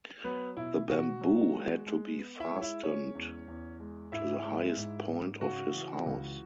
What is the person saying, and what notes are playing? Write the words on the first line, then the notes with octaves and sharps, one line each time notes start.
The bamboo had to be fastened to the highest point of his house.
F#3 B3 B4
B2 E4
B2 F#4
F#3
G#3
G#3
B3
E4 E5
G#3
C#5
E4 E5
G#3 C#4 C#5
E2
E2
G#3
G#2 E4 E5
G#3
G#2
G#2
C#3 F#4
E3
C#2